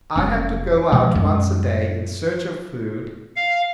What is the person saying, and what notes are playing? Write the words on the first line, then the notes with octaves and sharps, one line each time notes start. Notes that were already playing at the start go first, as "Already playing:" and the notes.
I had to go out once a day in search of food.
F1 C#4
B2 F3 G#3
F#2 G#3 C#4
F5